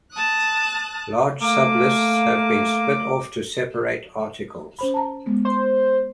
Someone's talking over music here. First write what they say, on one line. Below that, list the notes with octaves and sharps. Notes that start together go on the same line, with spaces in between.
Large sublists have been split off to separate articles.
A5 D#6 F#6
A3 A#3 F5 D6
C#4 C5 B5
A5 A#5
G#3 B3
C5